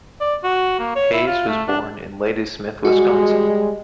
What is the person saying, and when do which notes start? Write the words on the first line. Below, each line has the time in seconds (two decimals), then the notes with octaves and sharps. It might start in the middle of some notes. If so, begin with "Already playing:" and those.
Hayes was born in Ladysmith, Wisconsin.
0.21 D5
0.44 F#4
0.79 A#3
0.96 C#5
1.13 E4
1.27 F4
1.48 A3
1.68 D4
2.85 G3 G#3 F#4